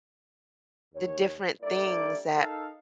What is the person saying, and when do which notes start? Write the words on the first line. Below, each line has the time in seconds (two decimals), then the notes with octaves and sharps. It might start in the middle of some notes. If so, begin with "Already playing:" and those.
the different things that
0.94 D#2 C#5
1.62 G3 A#3 D4 E4 A4 D5
2.38 D#4 A4 A#4 F5